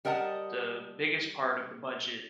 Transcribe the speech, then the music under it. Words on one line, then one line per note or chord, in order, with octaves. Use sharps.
the biggest part of the budget
G3 A#4 D#5 F#5 A5